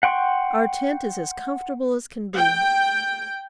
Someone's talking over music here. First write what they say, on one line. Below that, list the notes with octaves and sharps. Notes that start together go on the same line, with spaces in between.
Our tent is as comfortable as can be.
F#5 G5 C6 C#6
G5